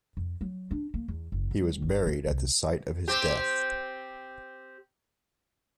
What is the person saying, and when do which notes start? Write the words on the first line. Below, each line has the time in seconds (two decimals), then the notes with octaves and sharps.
He was buried at the site of his death.
0.17 F2
0.41 F#3
0.71 D4
0.94 A#3
1.08 E2
1.32 F#1
1.51 G3
1.82 G1
2.07 F4
2.26 C2
3.08 C4 G4